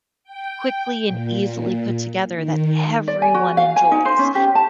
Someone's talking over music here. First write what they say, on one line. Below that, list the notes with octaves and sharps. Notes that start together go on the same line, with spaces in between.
quickly and easily put together that everyone enjoys.
G5
A#2
D#3
D5
G#5
F#4
F5
G#5
D#4
C5
C#4
G4
A5